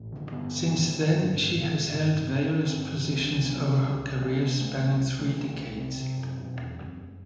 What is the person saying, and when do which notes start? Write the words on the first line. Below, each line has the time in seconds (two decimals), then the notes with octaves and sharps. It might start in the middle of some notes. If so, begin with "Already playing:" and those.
Since then she has held various positions over her career spanning three decades.
Already playing: A1
0.12 D3
0.32 G2 B3
0.51 A1
0.71 A1
0.90 D3
1.10 G2
1.30 A1
1.48 A1
1.69 D3
1.88 G2
2.07 A1
2.27 A1 C4
2.46 D3
2.66 G2 C4
2.85 A1
3.05 C2 C4
3.24 C2
3.44 C3 B3
3.63 C3
3.83 C2
4.02 C2
4.21 C3 B3
4.41 C3
4.60 C2 A3
4.80 C2 B3
5.00 C3
5.19 C3 A3
5.38 C2 A3
5.58 C2
5.78 C3 C4
5.97 C3
6.16 F#1
6.36 B2
6.55 E2
6.75 F#1
6.94 F#1